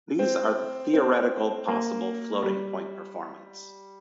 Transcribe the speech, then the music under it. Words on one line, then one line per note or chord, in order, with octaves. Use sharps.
These are the theoretical possible Floating Point performance.
C4
C4
A#3
G3